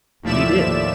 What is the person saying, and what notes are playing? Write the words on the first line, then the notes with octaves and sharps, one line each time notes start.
And he did.
D#2 A2 F3 D5 E5 E7